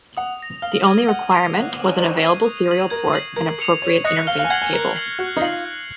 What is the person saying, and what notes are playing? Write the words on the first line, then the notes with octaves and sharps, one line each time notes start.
The only requirement was an available serial port and appropriate interface cable.
F#5 D#6
A#6 F7
F5 F6
G#6 D#7 F#7
F#5 F6
C7 F7
F#5 F#6
C7 F#7
C5 C#6
G#6 C7 D#7
D#6
A#6 D#7 F#7
A#4 G#6
C7 F#7
A#4 G#6
C#7 F7
C#5 C#6
D#5 F#6 A#6 C#7
F5 F6
F5
G#5
F#5 G#6 C7 F#7
G#5
A#4 F#6
C7 F#7
F#4 F#6
D#4
F4 C7 F#7
F#6